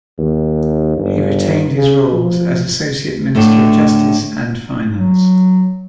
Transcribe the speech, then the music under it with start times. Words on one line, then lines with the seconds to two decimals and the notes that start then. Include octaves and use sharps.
He retained his roles as Associate Minister of Justice and Finance.
0.18 D#2
0.97 G1
1.76 C#3
2.13 F3
3.35 A2 D3 A3
4.94 F#3